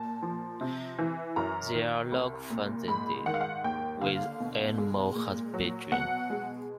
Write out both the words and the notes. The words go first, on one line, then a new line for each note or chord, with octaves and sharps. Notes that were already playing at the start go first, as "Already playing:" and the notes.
There are large fazendas with animal husbandry.
Already playing: A#2 A5
F3
C3
E3
F#2 A#5
D#3
C2
A#2
G#2 B5
D#3 F#5
F5
F#5
D#2 G5
D3 F5
B2
G#3
A#2
F#3
B2 F#5
G#3